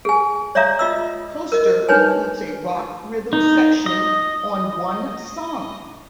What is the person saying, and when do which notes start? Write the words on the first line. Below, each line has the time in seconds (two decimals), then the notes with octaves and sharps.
"Coaster" includes a rock rhythm section on one song.
0.05 G#4 G#5
0.55 C#5 D5 E5 F5 A#5 D#6
0.79 F4 D#5 E6
1.52 A#4 D#5
1.89 D4 D#4 B4 C#5 G#5
3.33 D#4
3.86 D#5